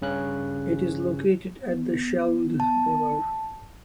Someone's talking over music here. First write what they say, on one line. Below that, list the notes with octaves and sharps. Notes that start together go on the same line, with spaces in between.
It is located at the Scheldt river.
G2 C#3 C#4 F#6
B3
A5